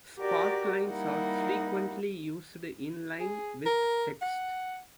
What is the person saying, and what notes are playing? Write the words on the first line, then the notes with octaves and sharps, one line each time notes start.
Sparklines are frequently used in line with text.
F#4 G4 A#4 D5
G3 A#3 D#4 E4 F#5
G#4
A#4
F#5